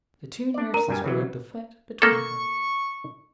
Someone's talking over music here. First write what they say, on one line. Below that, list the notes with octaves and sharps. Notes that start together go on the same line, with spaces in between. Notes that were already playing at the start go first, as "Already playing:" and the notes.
The two nurses were at the foot between them.
D4 D5
A#4 A#5
G2 G3 G#5
C#3 E3 F#3
A#3 A4 C#6